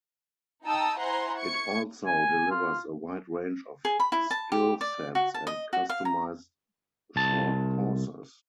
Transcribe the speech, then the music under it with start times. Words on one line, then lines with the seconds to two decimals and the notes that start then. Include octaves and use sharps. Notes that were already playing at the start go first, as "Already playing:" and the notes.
It also delivers a wide range of skill sets and customized short courses.
0.63 D#4 G5 A5 A#5 D#6 E6
0.98 E4 C5 F#5 G#5 A#5 C6
1.37 C#6 G#6 C#7
2.06 G#5
2.51 F4
3.85 G#4
4.00 B5
4.12 E4
4.31 A5
4.52 G4
4.81 D5
5.15 F#4
5.34 A5
5.47 D#5
5.73 F#4
5.89 F5
6.05 A#5
7.16 C2 A5